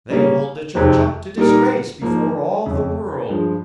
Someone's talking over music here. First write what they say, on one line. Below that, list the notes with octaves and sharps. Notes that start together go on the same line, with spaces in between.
They hold the church up to disgrace before all the world.
C#3 G3 A#3 C#4
F2 C3 D#3 G#3 C4
A#2 G3 A#3 D#4 A#4
G#2 F3 A#3
F2 C#3 G#3
G2 F3 G#3